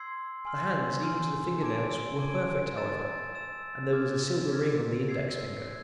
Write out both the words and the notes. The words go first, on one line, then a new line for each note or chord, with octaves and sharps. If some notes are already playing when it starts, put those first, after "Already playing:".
The hands, even to the finger nails, were perfect, however, and there was a silver ring on the index finger.
Already playing: C6 E6 G#6 C7
G#5 C6 F6
G#5 C6 F6
A5 D6 G#6 D7
A5 D6 G#6 D7
E6 A6 E7
E6 A6 E7
D6 F6 G#6
D6 F6 G#6
E6 G#6 C7
E6 G#6